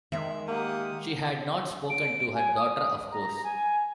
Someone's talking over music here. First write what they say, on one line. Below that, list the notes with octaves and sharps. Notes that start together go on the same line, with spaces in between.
She had not spoken to her daughter, of course.
D#3 G#3 E5
A#3 G4 F#5 D#6
D7
G#5
D#6
A#5
G#5